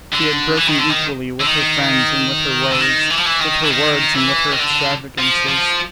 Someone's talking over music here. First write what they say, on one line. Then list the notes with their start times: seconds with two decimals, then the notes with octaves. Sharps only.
She had broken equally with her friends and with her ways, with her words and with her extravagances.
0.13 D3
0.57 E3
0.68 D#3
0.79 D3
0.90 D#3
1.40 D3
1.46 D#3
2.72 D3
2.80 D#3
3.10 E3
3.17 F3
3.25 E3
3.40 D#3
3.63 E3
3.70 D#3
4.15 E3
4.51 D#3
4.59 D3
5.18 F3
5.48 F3